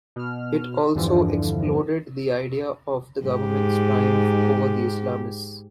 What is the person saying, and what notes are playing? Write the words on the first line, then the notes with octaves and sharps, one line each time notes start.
It also "exploded" the idea of the government's triumph over the Islamists.
B2 F6
E2 G2 D3 E3 F3
G#2 G4